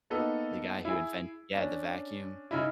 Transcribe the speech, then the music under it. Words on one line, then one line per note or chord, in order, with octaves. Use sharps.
the guy who inven Yeah, the vacuum.
A#3 B3 D#4 A4
E4 G#4
C#4 D4
C#3 D#4 E4